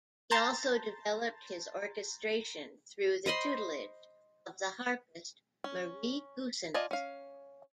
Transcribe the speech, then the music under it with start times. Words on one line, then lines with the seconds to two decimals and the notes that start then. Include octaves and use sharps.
He also developed his orchestration through the tutelage of the harpist Marie Goossens.
0.31 A5 A#5 C6 G6 A6
3.26 C5 D#5 B5 C6
5.64 C#4
6.74 F4 D5 D#5 G#5 A5
6.91 C#4 F5